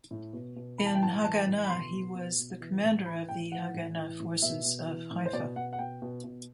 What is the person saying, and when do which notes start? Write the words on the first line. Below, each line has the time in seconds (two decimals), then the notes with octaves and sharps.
In Haganah he was the commander of the Haganah Forces of Haifa.
0.11 A2
0.33 B2
0.56 B2
0.78 E3 B5
0.86 A5
0.95 G5
1.02 A2 A5
1.24 E3 A5
1.47 A2
1.64 B5
1.70 B2 C6
1.93 B2
2.15 B2
2.38 B2
2.61 E3
2.83 A2
3.06 E3 B5
3.29 A2 G5
3.52 E3 F#5
3.74 A2
3.97 E3
4.20 A2
4.42 B2 E5
4.65 B2
4.88 E3
5.11 A2
5.26 C5
5.33 B2 D5
5.56 B2 F#5
5.73 F#5
5.79 B2 G5
6.02 B2
6.24 B2